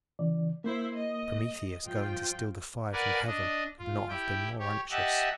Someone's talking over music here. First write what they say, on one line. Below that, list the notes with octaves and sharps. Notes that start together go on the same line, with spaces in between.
Prometheus going to steal the fire from heaven could not have been more anxious.
C#3 E3 D5
A#3 E4 C5 E5
D#5
G2 F3 F4 G5
A#4 B4 D5 F#5 G#5
D4 D#5
F4
E4 G4 G5
G4 C#5
G4 D#5 E5 F#5 A5